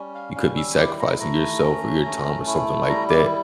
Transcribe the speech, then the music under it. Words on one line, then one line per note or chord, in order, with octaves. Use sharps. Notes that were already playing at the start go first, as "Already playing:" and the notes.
you could be sacrificing yourself or your time or something like that,
Already playing: G3 C#4
F5
G3 F5
E6
E4 D6
A#5
A3 A#5
C#4
A3
E4
G3 A#5
D6